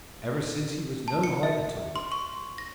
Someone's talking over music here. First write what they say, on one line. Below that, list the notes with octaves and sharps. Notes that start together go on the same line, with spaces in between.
"Ever since he was--no height at all."
A5
C#7
E5
C6
C#6
A#6